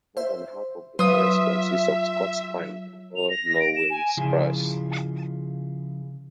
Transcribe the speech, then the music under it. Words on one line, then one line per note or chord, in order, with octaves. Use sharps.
More than half of the forests consist of Scots pine or Norway spruce.
C5 E5
F#3 F4 B4 E5 D#6
F7
A#6
A#6
D7
E7
G#5
C#3 F3 E4 F4 G#4